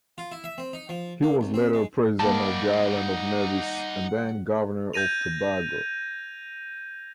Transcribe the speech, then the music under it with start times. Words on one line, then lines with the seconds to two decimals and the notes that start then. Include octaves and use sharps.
He was later President of the island of Nevis and then Governor of Tobago.
0.18 F4
0.32 E4
0.44 E5
0.58 C4
0.73 D#4
0.89 F3
1.23 A#3
1.41 C2
1.54 C4
1.73 G#3
2.20 G3 A#3 D#4 D5 F#5 A5
4.93 G6 G#6 A#6 D#7 F7